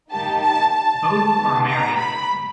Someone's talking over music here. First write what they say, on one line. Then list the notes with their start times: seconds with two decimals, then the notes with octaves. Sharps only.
Both are married.
0.10 A#3 D#4 G4 A5
0.41 A5
0.73 A5
1.36 B3 D#4 G4
1.67 A#5
1.99 B5